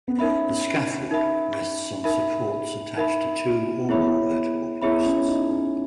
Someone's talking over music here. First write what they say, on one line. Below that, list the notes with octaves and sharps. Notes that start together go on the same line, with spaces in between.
The scaffold rests on supports attached to two or more vertical posts.
B3
C#4 D#4 A#4 E5 B5
D#4 A#4 E5 B5
D#4 A#4 E5 B5
D#4 A#4 E5 B5
B3 E4 G#4 C#5 E5 B5
B3 E4 G#4 C#5 E5 B5
C#4
D#4
C#4